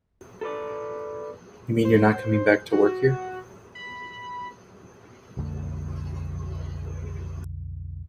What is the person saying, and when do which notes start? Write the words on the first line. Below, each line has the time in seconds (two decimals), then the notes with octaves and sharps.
You mean you're not coming back to work here?
0.41 A4 B4 D5
1.85 C5
2.72 F#4
3.75 B5
5.37 B1 F2 D3 A3